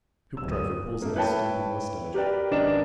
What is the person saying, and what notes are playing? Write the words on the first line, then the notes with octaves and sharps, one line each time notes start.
Hoopdriver pulls at his skimpy moustache.
D1 E6
D#6
A3 A#3
E4 B4 C#5 E5 G5 A5
G4 A#4 B4 D5 G5
G#1 C#4 D4 A#4 D#5 E7